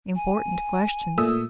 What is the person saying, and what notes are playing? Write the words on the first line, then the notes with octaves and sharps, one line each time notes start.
Important questions!
G#5
A#2 A3 D#6 E6